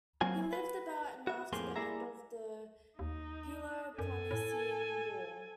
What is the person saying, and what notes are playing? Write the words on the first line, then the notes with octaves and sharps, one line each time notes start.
He lived about and after the end of the Peloponnesian war.
F#3 A#3 C4 F4 G#5
B4
F#4 E5
F2 A2 A#3 G4 G#4 C6
G3 A#3 E4 G#4 E5 A#5
D#2 D#4
F#2 A4 G#5
A2